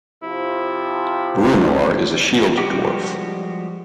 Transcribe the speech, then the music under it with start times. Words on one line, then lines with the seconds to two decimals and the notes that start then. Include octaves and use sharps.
Bruenor is a Shield Dwarf.
0.23 C3 F3 E4
2.57 F3 G3 G#3 F#4 G4